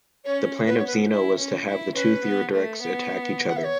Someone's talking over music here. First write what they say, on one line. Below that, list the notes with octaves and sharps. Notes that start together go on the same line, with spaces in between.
The plan of Zeno was to have the two Theoderics attack each other.
C#4 C#5
B3 B4
C#5
B4
E4
C#4
E4
C#4 B4
B3
A3
B3
F#5
E5
C#5